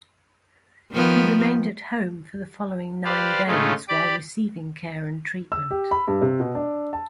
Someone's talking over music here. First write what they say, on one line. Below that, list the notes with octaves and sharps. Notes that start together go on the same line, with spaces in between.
He remained at home for the following nine days while receiving care and treatment.
D#3 F3 B3
G4 B4 C5 D5 F5
A2 C#3 G#3 A3 D#4 F4
G4 D5 B5 D6
E6
G4
B5
G2
C3
B2
D4
A5